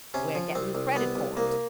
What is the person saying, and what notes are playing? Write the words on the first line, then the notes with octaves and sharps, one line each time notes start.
"We're getting the credit for it."
C3 C#4
F3
C2 C4
C2
C2 B3
C2
C2 A#3